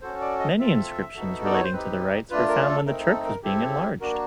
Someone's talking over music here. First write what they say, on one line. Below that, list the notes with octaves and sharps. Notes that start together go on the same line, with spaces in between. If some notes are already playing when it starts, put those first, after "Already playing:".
Many inscriptions relating to the rites were found when the church was being enlarged.
C#4 F#4 A4 C5
D5
D#5
C4 F4 A4 E5
B3 D#4 F#4 A4
D5
C#5
C5
C4 D#4 G4 B4
A3 D4 F4 B4
A#4
A4
A3 C4 D#4 A#4
A4
A#4
C4 E4 G4 A4
A#3 D4 F#4 A#4